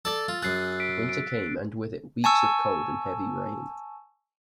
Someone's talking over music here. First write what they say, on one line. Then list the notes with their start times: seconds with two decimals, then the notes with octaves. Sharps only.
Winter came, and with it weeks of cold and heavy rain.
0.05 A4 D5 E6 A6
0.28 F4
0.43 F#2 G#4 F#6 A6 C7
0.80 B6 D7
1.09 D7
2.24 G#5 A5 C#6 E6